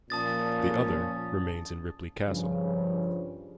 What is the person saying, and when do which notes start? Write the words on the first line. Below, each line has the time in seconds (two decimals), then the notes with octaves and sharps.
The other remains in Ripley Castle.
0.10 A#2 F3 C#4 A5 D#6 A6
2.27 G2 C#3 F3